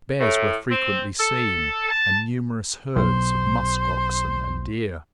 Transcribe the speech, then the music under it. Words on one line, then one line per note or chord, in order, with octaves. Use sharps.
Bears were frequently seen, and numerous herds of musk-oxen and deer.
A2
C4
A4
A5
B1 C5